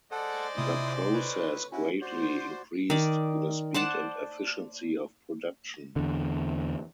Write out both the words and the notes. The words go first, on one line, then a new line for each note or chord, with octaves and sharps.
The process greatly increased the speed and efficiency of production.
G#3 A4 C5 D5 F#5
C3 E4 F4 D#6
A4 B4 C#5
C#4 E4 F#4
F#4 C5 D5
D#3 D5
C5 D5 F#5 A5
E2 D3